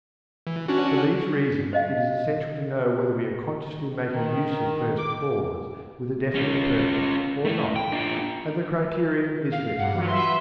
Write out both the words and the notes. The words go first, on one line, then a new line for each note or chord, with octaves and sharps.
For these reasons it is essential to know whether we are consciously making use of first cause with a definite purpose or not, and the criterion is this.
E3
C#4 D4 F#4
C5 D#5 F5
D#3
D6
C#4 F4
A3 E4
G5
D4 F4
F5
G2 F#5
E3 F#3 F4
B4 E5 C6